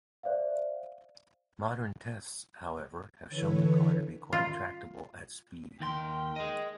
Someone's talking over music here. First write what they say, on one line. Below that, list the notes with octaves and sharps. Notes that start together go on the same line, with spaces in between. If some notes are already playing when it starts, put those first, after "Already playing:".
Modern tests, however, have shown the car to be quite tractable at speed.
C5 D5 E5 F5
D3 E3 E4 A4 B4 C#5
F4
D#2 D#3 A#4 G5 C6
G#4 D#5